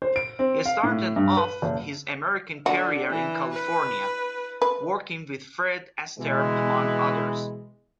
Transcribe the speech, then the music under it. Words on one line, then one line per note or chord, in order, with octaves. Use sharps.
He started off his American career in California, working with Fred Astaire among others.
C5
D7
C4
F5
A2
G2
B4
F#1
D3 F#4
E3
B4
B4
B2 E3 G#3